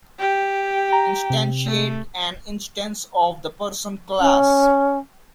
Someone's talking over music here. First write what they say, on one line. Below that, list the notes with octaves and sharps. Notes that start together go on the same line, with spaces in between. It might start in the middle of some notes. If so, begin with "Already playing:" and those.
Instantiate an instance of the Person class.
G4
A#5
C3
A3
C#4